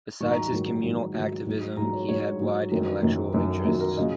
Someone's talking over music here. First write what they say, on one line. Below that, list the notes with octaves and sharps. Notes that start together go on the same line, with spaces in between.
Besides his communal activism, he had wide intellectual interests.
G#2 D#3 F#3 C#6
A#5
A#5
G#2 D#3 F#3 A#5
G#2 D#3 F#3
G#2 D#3 F#3
G#2 F#3
G#2 F#3 A#5
C#5
G#2 F#3 C#5
G#2 F#3
F#2 D#3 F#3 A#4
F#2 D#3 F#3
F#2 D#3 F#3
F#2 D#3 F#3
A#4
C#3 F#3 D#5